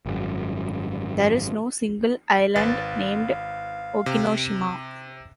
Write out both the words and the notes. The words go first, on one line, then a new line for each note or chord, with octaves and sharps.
There is no single island named Okinoshima.
G#1 F#2
G#1 B4 F5 A6
C3